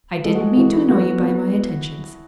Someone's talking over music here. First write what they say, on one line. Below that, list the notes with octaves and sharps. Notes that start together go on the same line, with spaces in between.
I didn't mean to annoy you by my attentions.
G#3 A4
F#4
G#4
E3 F#4
E4
B3 F#4
B3